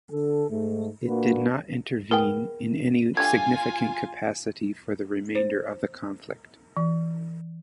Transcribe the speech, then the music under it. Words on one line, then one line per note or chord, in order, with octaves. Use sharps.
It did not intervene in any significant capacity for the remainder of the conflict.
D3 A4
G#2 A3
A#2 A#3 D4 F#4 B4
B3 G#4 A#4 G5
A3 D4 F4 G4 G#5 G#6
C5
E3